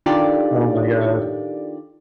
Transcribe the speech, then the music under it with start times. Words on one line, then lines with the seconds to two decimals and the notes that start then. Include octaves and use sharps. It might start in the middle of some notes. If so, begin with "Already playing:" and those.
Oh my god.
0.06 D#3 D4 F4 G4 A4 D5